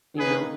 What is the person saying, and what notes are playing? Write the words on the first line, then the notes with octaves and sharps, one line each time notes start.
you know,
D#3 A#3 D#4 G#4 B4